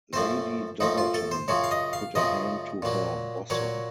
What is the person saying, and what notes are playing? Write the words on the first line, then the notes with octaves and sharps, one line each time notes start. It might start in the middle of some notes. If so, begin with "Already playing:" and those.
Lady Doverton put a hand to her bosom.
F#2 F3 A3 C4 C5
F#2 F3 A3 C4 D#4
F4
A4
C5
F#2 C#3 F3 C4 C#5
F5
D#5
F5
F#2 C#3 F3 C4 D#5
A#2 F#3 A#3
A#2 F#3 A#3 C#5